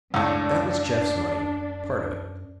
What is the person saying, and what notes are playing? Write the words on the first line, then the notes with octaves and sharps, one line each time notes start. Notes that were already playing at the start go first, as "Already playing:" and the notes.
That was Jeff's money--part of it.
C#2 F#2 A2 D4